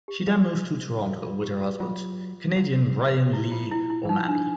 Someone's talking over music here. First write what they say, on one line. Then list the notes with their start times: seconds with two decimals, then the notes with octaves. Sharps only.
She then moved to Toronto with her husband, Canadian Bryan Lee O'Malley.
0.08 G4
0.27 F3 G4
1.03 F#4
1.22 F4
1.41 G4
1.61 F#4
1.80 F#3 F4
2.57 F3
2.65 F#3
2.73 F3
3.33 E4
3.52 F4
3.72 E4
3.90 E4
4.05 E3
4.09 F3 D#4
4.28 D4